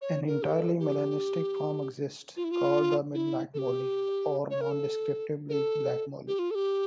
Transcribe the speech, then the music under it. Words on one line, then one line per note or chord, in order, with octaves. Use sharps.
An entirely melanistic form exists called the midnight molly, or nondescriptly, "black molly".
C#5
A#4
G4
A4
G4
F4
E4
F4
E4
A4
G4
C#5
A#4
A4
A#4
A4
G4
F4
A4
G4